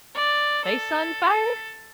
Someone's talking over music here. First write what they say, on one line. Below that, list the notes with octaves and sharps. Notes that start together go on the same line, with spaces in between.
Place on fire?
D5
A4